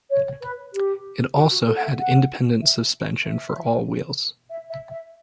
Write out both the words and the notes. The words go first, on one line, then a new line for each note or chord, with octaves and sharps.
It also had independent suspension for all for wheels.
C#5
B4
G4
F#4
F#4
A4
F#5
E5
F#5
E5
E5
E5
E5
E5